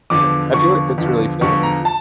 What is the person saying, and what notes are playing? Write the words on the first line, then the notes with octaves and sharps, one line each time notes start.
E I feel like that's really fitting.
E2 D3 F3 D6
E2 D3 F3 C#6
E2 D3 F3
E2 D3 F3 C#6
A#5
A5